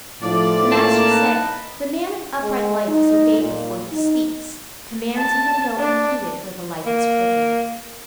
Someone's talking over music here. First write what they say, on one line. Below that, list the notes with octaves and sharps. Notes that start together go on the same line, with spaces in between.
The Master said, The man of upright life is obeyed before he speaks; commands even go unheeded when the life is crooked.
A2 F3 D4 F4 D5
A#3 A5
D#4 B4
G#3
D#4
A#2
D#4
A5
D4
A#3